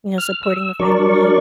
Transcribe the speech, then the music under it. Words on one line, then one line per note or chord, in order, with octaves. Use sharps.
you know, supporting a friend in need?
F6
E6
F#3 D4 A#4 D5 C#6